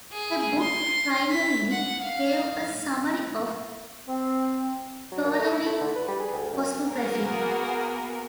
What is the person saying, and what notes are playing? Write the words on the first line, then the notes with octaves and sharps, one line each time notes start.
The book primarily gave a summary of Ptolemic cosmography.
G#4
C6
B6
F#5
F5
C4
F#3
A#3
A3
E4
A3
D3
B4
G3
G#4
D2
F#2
A#3 B3 F#4 G#4 A#4